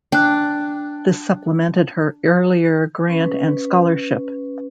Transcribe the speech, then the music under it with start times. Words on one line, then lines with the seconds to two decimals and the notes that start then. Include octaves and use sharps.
This supplemented her earlier grant and scholarship.
0.12 D4 G5 F#6
3.09 C#4 B4